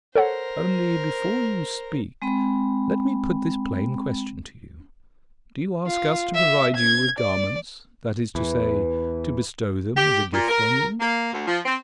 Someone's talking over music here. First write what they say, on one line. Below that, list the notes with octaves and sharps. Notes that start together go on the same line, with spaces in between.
"Only before you speak, let me put this plain question to you: Do you ask us to provide you with garments--that is to say, to bestow them as a gift on you?"
A4 A#4 C5 C#5 F#5
G#3 C4 G5 B5
F4
E5
G#6
D5
E2 E3
G4
A#2
A#4
A#3
D2
F3
C4